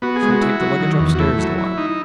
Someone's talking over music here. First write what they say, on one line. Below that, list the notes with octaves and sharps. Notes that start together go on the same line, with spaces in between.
'She'll take the luggage upstairs the while.
B3 F#4
G#4
G#3
F#4
E4
F#3
D#3
E2
F#4
A3 E4
F#3
E4
D#4